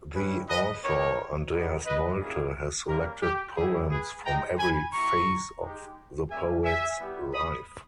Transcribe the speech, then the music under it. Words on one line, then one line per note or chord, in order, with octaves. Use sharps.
The author, Andreas Nolte, has selected poems from every phase of the poet's life.
G3 C#4 E4 G4 G#4 B4
B4 D#5
B3 D#4 G4 A#4 C#5
B3 D#4 G4
B4 D#5
G3 A#3 C#4 E4 G#4
G3 A#3 C#4 G4 A#4
G4
G3 C#4 E4 G4 G#4
G#4 B4
G#3 D#4 G4 G5 A#5
G#5 B5
A#3 E4 G4 A#5 C#6
G#3 D#4 G4
G3 A#3 C#4 G4 E5 G#5
E5 G#5
G3 B3 E4 G4
B5 D#6